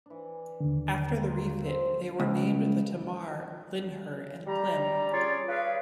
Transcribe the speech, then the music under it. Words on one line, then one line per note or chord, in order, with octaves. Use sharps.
After the refit, they were named the "Tamar", "Lynher" and "Plym".
E3 D4
D#2 D3
F4 F#4 A#4
C4 G#5
C#2
G3 G4 A#5
C#4 F4 G#4 C#5 D5
F4 G#4 B4 C#5 D5 F5